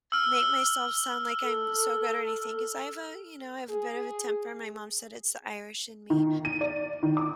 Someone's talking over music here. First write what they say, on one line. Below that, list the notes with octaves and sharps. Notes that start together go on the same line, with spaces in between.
make myself sound like I'm so good or anything, 'cause I have a you know, I have a bit of a temper. My mom said it's the Irish in me,
E6 F6
A4
G#4
D#3
D#7
D5
D#3
D6